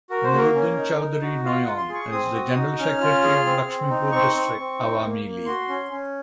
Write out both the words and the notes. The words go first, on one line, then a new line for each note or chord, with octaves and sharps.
Nuruddin Chowdhury Noyon is the general secretary of Laxmipur district Awami League.
F#4 A#4
C5
A#3
A#4
C#4
D#4
D#4
F#4
F4 F5
F#5
F4
C6
G#4
C#6
C4 D#6
F#4
D#4
C#4 F6
F4
G#4
C4
C4
D#4
C4 C#6
C4
C4
D#4
A#3
A#3
F#4 C6
C#4
C#4